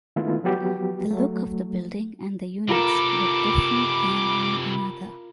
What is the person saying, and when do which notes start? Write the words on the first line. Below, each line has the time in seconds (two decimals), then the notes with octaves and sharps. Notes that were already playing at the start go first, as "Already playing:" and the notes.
The look of the building and the units look different than one another.
0.16 D#3 G#3 A3 B3 E4 F4
0.43 F3 F#3 B3 F#4 G4
1.11 F#3 A3
2.69 C3 F4 A4 A#4 B5 D6